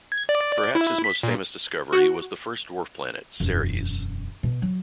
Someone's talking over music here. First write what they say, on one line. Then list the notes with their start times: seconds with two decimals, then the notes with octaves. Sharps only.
Perhaps his most famous discovery was the first dwarf planet, Ceres.
0.12 G#6
0.29 D5
0.75 E4
1.04 B6
1.23 A#2
1.93 F#4
3.40 E1 F#2
4.43 B2
4.62 F#3